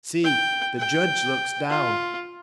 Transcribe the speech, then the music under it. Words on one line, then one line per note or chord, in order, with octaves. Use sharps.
See! the Judge looks down ...
G5
G5
F4